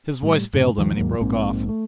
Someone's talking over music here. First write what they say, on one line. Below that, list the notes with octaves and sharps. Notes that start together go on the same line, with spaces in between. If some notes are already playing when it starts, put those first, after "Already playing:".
His voice failed him, and he broke off.
A2 G3
F#2 A2 C#3
D#2 D#3 F3 G3
D#2 G#2 F#3 A#3
A#1 G#2 A#3 C4
A3